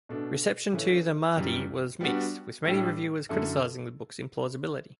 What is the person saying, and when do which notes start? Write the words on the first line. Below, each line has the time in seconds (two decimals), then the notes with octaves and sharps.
Reception to "The Mahdi" was mixed, with many reviewers criticizing the book's implausibility.
0.09 B2 A3 D4
0.73 C#3 E3 A3 C#4
1.37 F#2 E3 G3
2.01 G3 B3 D4 F#4
2.65 A2 G3 D4 G4
3.29 F#2 D3 A3 E4 A4